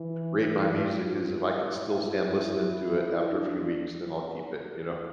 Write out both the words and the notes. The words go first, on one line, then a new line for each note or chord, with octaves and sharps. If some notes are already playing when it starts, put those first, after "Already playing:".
rate my music 'cause if I can still stand listening to it after a few weeks, then I'll keep it, you know?
Already playing: E3
E3
F3
E4
E4
D4